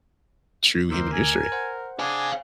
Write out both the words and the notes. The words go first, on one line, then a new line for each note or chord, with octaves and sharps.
true human history.
D2 A#4 C5 D6 E6
G#5
C5 F#5
D4 G#4 F5 G#5